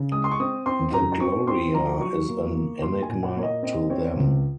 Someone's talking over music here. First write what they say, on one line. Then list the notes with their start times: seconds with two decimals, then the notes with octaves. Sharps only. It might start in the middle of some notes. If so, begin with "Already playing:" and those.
The "Gloria" is an enigma to them.
Already playing: C#3
0.12 G#3 D#6
0.24 C6
0.31 C#6
0.40 C4 D#6
0.66 C4 C6
0.93 F#2 A#5
1.20 C4 C#6
1.47 C4 C6
1.74 F3 A#5
2.01 F#3 C#6
2.28 A#3
2.55 A#3
2.82 A#3 C6
3.02 G#5
3.09 A#2
3.23 F#5
3.36 A#3 C#5
3.43 D#5
3.63 C4 D#5
3.90 C4 C#5
4.17 C#2